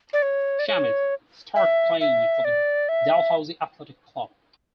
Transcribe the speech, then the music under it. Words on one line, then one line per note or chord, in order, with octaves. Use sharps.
Shami started playing for the Dalhousie Athletic Club.
D5
C#5
D5
C#5
E5
E5
D5
E5